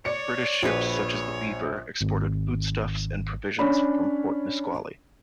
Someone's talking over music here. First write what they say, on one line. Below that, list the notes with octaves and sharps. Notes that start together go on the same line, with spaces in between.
British ships such as the "Beaver", exported foodstuffs and provisions from Fort Nisqually.
C#5 D5 C#7
A#1 F#4 G#4 B4
G#1
C#4 D4 C#5 B5